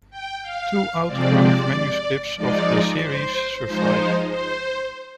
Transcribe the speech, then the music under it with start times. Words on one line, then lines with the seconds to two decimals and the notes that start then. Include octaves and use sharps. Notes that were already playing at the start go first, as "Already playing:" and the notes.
Two autograph manuscripts of the "Series" survive.
0.11 G5
0.42 F5
1.06 C3 F3 G#3 C4 D5
1.38 D5
2.36 F3 G#3 D#4 D5
3.01 C5
3.65 F3 G#3 D#4 C5
4.30 C5